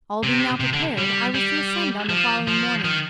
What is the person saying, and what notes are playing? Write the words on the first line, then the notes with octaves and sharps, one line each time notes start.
All being now prepared I was to ascend on the following morning.
C3
C3
D3
G3
G3
F3
F3
D#3